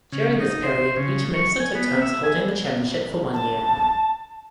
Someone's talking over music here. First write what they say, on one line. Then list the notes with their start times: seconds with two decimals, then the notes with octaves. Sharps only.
During this period, each minister took turns holding the chairmanship for one year.
0.12 C#3
0.40 D#4
0.64 C5
0.97 C#3
1.34 C#6
1.60 G#5
1.75 B3
2.01 E5
2.23 G#5
3.33 A5